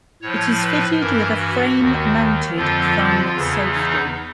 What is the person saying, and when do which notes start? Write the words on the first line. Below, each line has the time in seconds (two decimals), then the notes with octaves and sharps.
It is fitted with a frame-mounted thumb safety.
0.21 A2 F3 C#5
0.61 B4
1.00 G2 E3 A#4
1.39 F#4
1.78 D#2 D#3
2.57 F2 D3 F3 F4
3.35 E2 C#3 E3
3.74 D#4